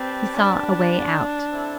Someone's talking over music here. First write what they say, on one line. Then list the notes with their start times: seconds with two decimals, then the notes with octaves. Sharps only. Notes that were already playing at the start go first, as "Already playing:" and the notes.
He saw a way out.
Already playing: C4 G4 B4 D5 A5
0.35 D4
1.51 C4 E4 A4